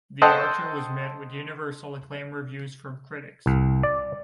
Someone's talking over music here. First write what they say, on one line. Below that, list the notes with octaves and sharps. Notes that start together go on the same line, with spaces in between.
The Archer was met with universal acclaim reviews from critics.
A4 C5 D#5 F#5 G5 A5
C2
D5